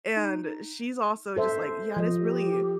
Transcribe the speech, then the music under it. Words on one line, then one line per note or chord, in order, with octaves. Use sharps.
and she's also just like, "Yeah, it is really
D#4
A4 C5 E5
F3 D#5
G4